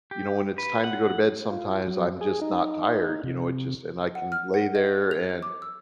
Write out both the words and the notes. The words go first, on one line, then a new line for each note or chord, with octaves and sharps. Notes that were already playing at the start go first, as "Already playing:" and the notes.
you know when it's time to go to bed, sometimes, I'm just not tired, you know, it's just and I can lay there and,
G4
B4
F#5
F4
F#3
G#4
D#4
C3
F#5
F6
F#5
D#5
F7
D6
E6